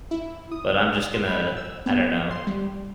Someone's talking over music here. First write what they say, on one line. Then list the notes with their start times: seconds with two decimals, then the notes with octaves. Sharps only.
but I'm just gonna, I don't know
0.11 E4
0.52 D#6
1.14 C6
1.27 B5
1.56 E6
1.86 B3
2.31 C6
2.47 G3